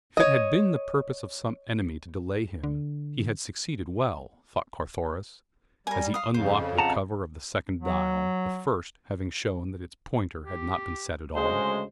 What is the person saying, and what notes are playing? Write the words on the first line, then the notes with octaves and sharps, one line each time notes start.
If it had been the purpose of some enemy to delay him, he had succeeded well, thought Carthoris, as he unlocked the cover of the second dial the first having shown that its pointer had not been set at all.
C#5 D#5
D3
G3 A#4 G#5
F5 D#6
F2 C#3 C5
F#5 A5 A#5
F#3
G4
D2 C#3 G#3 C5